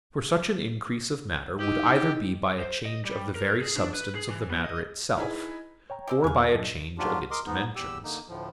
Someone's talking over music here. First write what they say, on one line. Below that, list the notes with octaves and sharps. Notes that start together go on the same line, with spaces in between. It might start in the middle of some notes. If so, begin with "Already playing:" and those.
For such an increase of matter would either be by a change of the very substance of the matter itself, or by a change of its dimensions.
D#4 E4 G4 D#5
C5
D#5
G3
A#4
G#4
D4
B4
G#4
E3
B3
D#5
D#4 E4 G#4 B4
C#5 G5 A#5
G#3 C4 G4
E2 F#3 F5 G#5 B5 F#6
B3 A#4
G2 F#3 D4 A4 D#5
G#2 F#3 D4 F4 G4
A#4 D#5 C6 D6
G#2 G#3 B3 D#4
E2 G4 E6
D3 A#3 D#4
D2 A2 F3